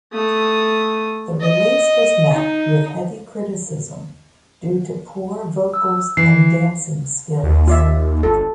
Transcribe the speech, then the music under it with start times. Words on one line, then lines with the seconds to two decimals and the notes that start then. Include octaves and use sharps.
The release was met with heavy criticism due to poor vocals and dancing skills.
0.13 A3 D#6
1.41 D#5
2.33 D#4
5.74 E6
6.17 E3 C7
7.43 D#2
7.67 F4 D5 E5
8.23 G1 F4 A4